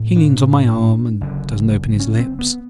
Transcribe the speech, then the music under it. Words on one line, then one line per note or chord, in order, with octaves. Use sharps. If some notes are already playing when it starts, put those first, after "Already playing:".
He leans on my arm, and doesn't open his lips.
Already playing: A#1 A2
D4
F#1 F#2 D3
C#4
C4
B3